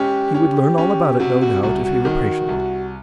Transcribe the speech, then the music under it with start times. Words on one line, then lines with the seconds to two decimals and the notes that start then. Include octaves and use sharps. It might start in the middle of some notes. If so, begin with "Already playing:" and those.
He would learn all about it, no doubt, if he were patient.
Already playing: G#3 C#4 G4
0.34 C#4 G4
0.78 C#4
1.20 C3 F#4
1.42 F#4
1.62 C2 F#4
1.84 F#4
2.05 D#3
2.49 C2